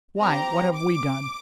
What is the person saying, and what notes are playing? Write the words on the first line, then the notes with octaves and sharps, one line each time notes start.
"Why, what have we done?"
C4 G4 A#5
D6